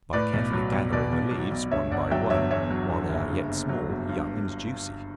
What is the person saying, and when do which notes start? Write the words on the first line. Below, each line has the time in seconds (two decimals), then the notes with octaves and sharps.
By carefully gathering the leaves, one by one, while they are yet small, young, and juicy.
0.13 A2 B4 D5
0.33 B1
0.53 F#3
0.72 B1
0.92 B2 B4 D5
1.12 B1
1.31 F#3
1.51 B1
1.71 G2 C#5 E5
1.91 G1 D5 F#5
2.11 F#3 E5 G5
2.30 G1 C#5 E5
2.51 E2 C#5 E5
2.70 F#3
2.90 D3
3.10 F#1
3.30 G2
3.49 G1
3.69 F#3
3.90 G1
4.09 G2